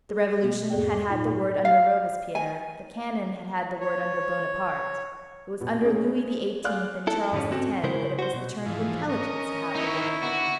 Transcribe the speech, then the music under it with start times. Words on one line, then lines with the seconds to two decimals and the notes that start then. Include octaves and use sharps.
The Revolution had had the word under Robespierre; the cannon had had the word under Bonaparte; it was under Louis XVIII. and Charles X. that it was the turn of intelligence to have the word.
0.09 G#4
0.42 B2 G#3 A3 B3
0.70 E2 G#2 G#4 A4 D5 G5
0.93 D6
1.10 A#2 D#4 F4
1.65 F5
2.35 G#5
3.81 C#5
5.60 B2 B3
5.82 G#3 C#4 G#4
6.64 G#4 D5 F5 F6 F#6
7.07 E4 A4
7.32 F2 G#2 D3 G3 C#4
7.51 C4 C#4 F#4 A4
7.84 C#3 G#3 E4 A#4 C5
8.19 F#4 C5
8.34 B2
8.66 G#2 E3 F3
9.09 C#4 A#4 D#5
9.75 D#4 E4 C#5
10.22 D3 B3 F#4